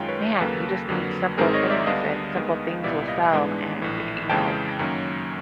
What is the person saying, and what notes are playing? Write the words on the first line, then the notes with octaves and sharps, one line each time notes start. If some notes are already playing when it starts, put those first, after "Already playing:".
"Man, you just need simple things, and simple things will sell," and, you know,
Already playing: F#2 D#3 G#3 C#4 F4 F5 G5
B4 C#5
D#2 C#3 F#3 A#3 A4 B4
F2 D3 F#3 A#3
G#1 G#2 D#3 G#3 C4 G#4 A#4
C#5 D#5
D5 E5
D2 D3 G3 B3 D4 D#5 F5
D#2 D#3 G#3 B3
C2 A#2 G3 B3 E4 D5 E5
D#5 F5
G#2 E3 G#3 B3 D4
A#1 A2 E3
F2 C#3 E3 G#3 G5 A5
F#2 D#3 F#3 A#3 C#4